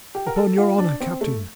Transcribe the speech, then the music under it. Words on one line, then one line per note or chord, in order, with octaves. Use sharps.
"Upon your honour, Captain."
G4
A#4
A4
F4
D4
C4
A3